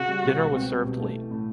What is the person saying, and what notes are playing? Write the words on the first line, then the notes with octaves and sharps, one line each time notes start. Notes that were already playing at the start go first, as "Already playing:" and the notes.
Dinner was served late.
Already playing: C#3 F#4
G3
B2
C#2
C4
G3
B2
A3
E3
A2